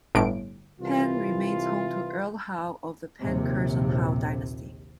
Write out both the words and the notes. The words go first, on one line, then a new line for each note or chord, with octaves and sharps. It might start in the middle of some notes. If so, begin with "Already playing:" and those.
Penn remains home to Earl Howe of the Penn-Curzon-Howe dynasty.
G1 A2 D7
C2 E3 F4
A#1 D#2 C3